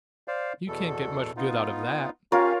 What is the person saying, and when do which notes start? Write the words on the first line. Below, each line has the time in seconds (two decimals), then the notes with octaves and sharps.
"You can't get much good out of that."
0.28 C5 D5 F5
0.68 E2 B2 A4
1.37 B3 D#4 F4
2.32 C#4 F4 G4 A#4 C#5 F5